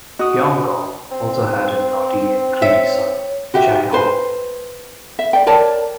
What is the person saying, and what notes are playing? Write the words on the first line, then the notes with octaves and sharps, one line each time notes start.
Yong Gong also had a naughty and greedy son, Jae-hong.
F#4 D#5 D#6
C4
C#5 E5
F#4 G4 E5
B4 C5
E5
D5 G5
A#4 C#5 D5 A5